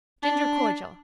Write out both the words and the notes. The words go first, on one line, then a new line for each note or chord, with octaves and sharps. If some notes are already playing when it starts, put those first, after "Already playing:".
Ginger cordial.
D4